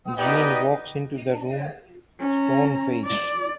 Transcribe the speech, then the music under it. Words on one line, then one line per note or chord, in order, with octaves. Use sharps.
Jean walks into the room, stone-faced.
B3 D#4 G4 D5 D#5 G5
C#4 A#5
D5